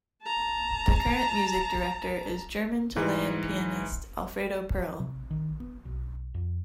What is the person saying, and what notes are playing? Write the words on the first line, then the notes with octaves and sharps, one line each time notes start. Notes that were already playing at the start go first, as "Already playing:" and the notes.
The current music director is German-Chilean pianist Alfredo Perl.
A5 A#5
G#2 E3
C3
D#3
B3
B1
F2